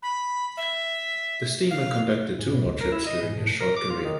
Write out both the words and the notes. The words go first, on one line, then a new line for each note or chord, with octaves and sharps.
The steamer conducted two more trips during her short career.
B5
E5
F5
G#2
B2
D2
A#4
E4
D#5
G#2
A2
A#4
D6
F4
D#3